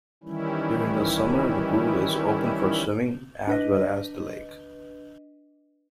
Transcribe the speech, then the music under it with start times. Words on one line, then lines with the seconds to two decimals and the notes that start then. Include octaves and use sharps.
During the summer the pool is open for swimming, as well as the lake.
0.24 D#3 E3 G3 C#4 E4
3.47 D4 B4 D#5